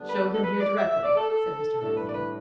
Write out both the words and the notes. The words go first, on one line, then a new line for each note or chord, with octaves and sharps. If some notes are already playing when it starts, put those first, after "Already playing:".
"Show him here directly," said Mr. Redmain.
Already playing: D3 G3 B3 D4
B4
A4
B4
D5
E5
E5
D5
A4
A4
A2 G3 D4 A4
B4
D5
B4